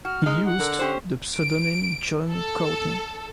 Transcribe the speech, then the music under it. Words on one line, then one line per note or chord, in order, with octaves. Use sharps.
He used the pseudonym John Courtney.
F#4 F6
G#3 D#4
F#5
D3 A#4
C#4 G4 C5
D7
A4